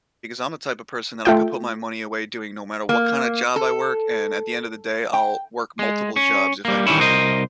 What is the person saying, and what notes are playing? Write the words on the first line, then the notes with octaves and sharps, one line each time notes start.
because I'm the type of person that I could put my money away doing no matter what kinda job I work, and at the end of the day I'll work multiple jobs if I need to.
A3 F4 G5
A#3
A4
G5
G#3
C#4
G3 A#3
D#3 E3 G3 C#4 E4
C2 A#4 C5 D#5